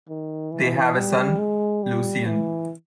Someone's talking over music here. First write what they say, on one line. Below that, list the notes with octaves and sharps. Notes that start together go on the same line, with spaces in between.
They have a son, Lucien.
D#3
E3
G3
G#3
G3
E3